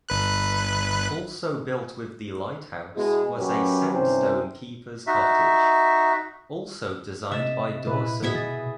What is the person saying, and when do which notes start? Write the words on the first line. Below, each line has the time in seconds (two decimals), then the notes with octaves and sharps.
Also built with the lighthouse was a sandstone keeper's cottage, also designed by Dawson.
0.09 G1 B4 F#6
2.97 B2 G#3 E4 G#4
3.37 F#2 F#3 C#4 G4 B4
3.94 C2 G2 C3 C#4 C5
5.07 D#4 F#4 E5
7.31 C3 D#5 E5 A6 E7
7.87 A#2 E4 B4
8.23 A2 B3 F#4 G#4 D#5 E5
8.35 B2 A6